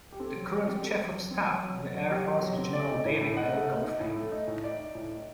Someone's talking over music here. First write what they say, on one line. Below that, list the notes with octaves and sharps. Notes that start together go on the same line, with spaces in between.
The current Chief of Staff of the Air Force is General David L. Goldfein.
G4
C4 A4
F#3
F#3 G4
C4
G4
C4 A4
F#3
F#3
C4
F#3
F#3
F#3
F#3
F#3 G4
D#4
F#3
C4
A3 D5
D#4
A2
A2
D#4 F#5
A3
D#4
D#4
A2
A3
D#4
A2
D#4 D5
D#4
A2
D#4